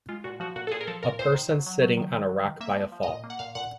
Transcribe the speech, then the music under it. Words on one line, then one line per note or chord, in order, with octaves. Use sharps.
A person sitting on a rock by a fall.
G#3 F4
A#2 F#4
F3 F#4
A#2 F#4
A4
A#2 G#4
A#4
F3 A4
A#2 A#4
A#2 C5
D#3
F#3
F#3
F#3
D#3
D#3
F#3
D#3
A#3 E5
F3
F3
D#5
A#2
A#3
F#5
A#2 F5
A#2 F#5